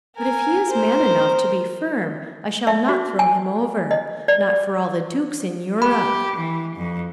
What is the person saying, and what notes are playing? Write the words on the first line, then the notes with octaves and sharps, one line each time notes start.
But if he is man enough to be firm I shall not throw him over,--not for all the dukes in Europe.
A#4 G#5
A#4 C5
E5
F#4
G#5
D#5
D5
G4 B5
E3
F2